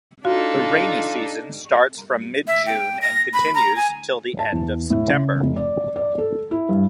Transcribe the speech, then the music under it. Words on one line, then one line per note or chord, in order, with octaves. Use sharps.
The rainy season starts from mid-June and continues till the end of September.
D4 D#4 F4 F#4 A4
E5
G5
A#6
B5
A#5
G#5
A5
E2
A2
C#3
F1
D5
D5
A4
E4
G2